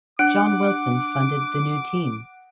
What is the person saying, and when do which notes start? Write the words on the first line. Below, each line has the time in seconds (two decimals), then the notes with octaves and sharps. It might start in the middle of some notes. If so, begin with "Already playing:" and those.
John Wilson funded the new team.
0.19 D4 F#5 D6 D7